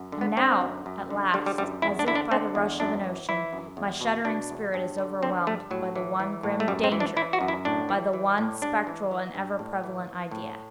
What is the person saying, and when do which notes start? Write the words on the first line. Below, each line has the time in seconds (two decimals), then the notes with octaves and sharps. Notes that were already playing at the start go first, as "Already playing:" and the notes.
And now, at last, as if by the rush of an ocean, my shuddering spirit is overwhelmed by the one grim Danger--by the one spectral and ever-prevalent idea.
Already playing: F#2
0.12 D3
0.21 B3
0.37 D3 C4
0.61 F#2
0.86 F#2
1.10 D3
1.34 D3 G3
1.46 G3
1.58 F#2 G3
1.82 E2 E4
1.99 D4
2.07 D3 E4
2.15 D4
2.31 D3 C4
2.55 E2
2.80 F#2 D4
3.04 E3
3.29 E3 E4
3.53 F#2
3.77 E2
4.01 B2
4.25 B2 D4
4.50 E2
4.74 G2
4.98 D3
5.23 D3 C4
5.47 G2 A3
5.71 A2 F#3
5.96 E3
6.20 E3
6.43 A2
6.60 A3
6.68 F#2 G3
6.84 C4
6.92 E3
7.00 D4
7.17 E3 E4
7.33 F#4
7.41 F#2
7.48 E4
7.65 A2 D4
7.89 E3
8.13 E3
8.38 A2
8.62 G2 D4
8.87 E3
9.11 E3
9.35 G2
9.59 A2
9.84 E3
10.07 E3
10.31 A2